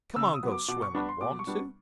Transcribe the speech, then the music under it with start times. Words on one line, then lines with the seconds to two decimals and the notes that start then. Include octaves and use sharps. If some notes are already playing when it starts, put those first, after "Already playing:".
"Come on go swimmin'--want to?"
0.16 C#3 E6
0.33 D#6
0.43 F#3 B3
0.51 D6
0.68 B2 D6
0.82 C#6
0.95 G3 B3 D4 B5
1.09 C6
1.21 B2 D6
1.39 C#6
1.47 G3 B3 D4